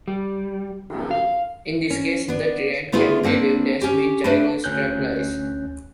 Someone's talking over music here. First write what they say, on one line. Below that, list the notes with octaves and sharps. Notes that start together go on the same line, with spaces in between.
In this case, the triad can be viewed as being gyrostabilized.
G3
F5
C#4
B3 D4
D3 A3 B3 E4 F4 G#4
A#3 C4 D4 B4
C#4 G4
A3 D4 B4
D2 C#4 F#6 G6